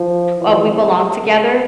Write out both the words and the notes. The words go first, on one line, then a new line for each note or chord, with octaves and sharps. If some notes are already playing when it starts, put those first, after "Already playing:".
uh, "We Belong Together"
Already playing: F3
E3
C3
C#3